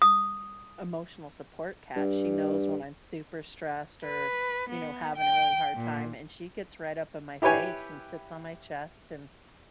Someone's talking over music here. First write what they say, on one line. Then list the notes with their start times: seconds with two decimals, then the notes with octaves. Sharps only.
emotional support cat, she knows when I'm super stressed or, you know, having a really hard time, and she gets right up in my face and sits on my chest and
0.02 D#6
1.96 G2
4.05 B4
4.70 B3
5.16 G5
5.75 A#2
7.42 E4 G4 B4 C#5 G#5